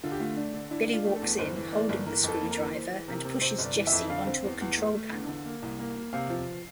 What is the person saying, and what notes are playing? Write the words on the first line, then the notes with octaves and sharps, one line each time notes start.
Billy walks in, holding the screwdriver, and pushes Jesse onto a control panel.
D3 F4
G4
A3 F4
D4
D3
D4 E4
D4
F4
A3
A4
E2
G1 C5
E3
A#3 D5
G1
E3 A#4
F2
A4
A#3
A#4
E3
E3 C5
E3
C3 A#4
C3
C3 C5
G1
D5
E3
E5
F2
D3 F5
C4
E2
E2
A3
A3
E2
D3
A#3
C2
A#3
A#3
C3 F5
F3